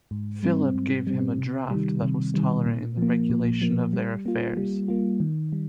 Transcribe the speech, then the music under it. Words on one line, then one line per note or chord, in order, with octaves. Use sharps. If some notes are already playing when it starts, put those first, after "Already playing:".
Philip gave him a draft that was tolerant in the regulation of their affairs.
G#2
G3 C4
G#2
G3 C4
C3
D#3 G3
C3
D#3 G3
A#2
F3 A#3
A#2
F3 A#3
G3
A#3 F4
G3
A#3 F4
D#3
G3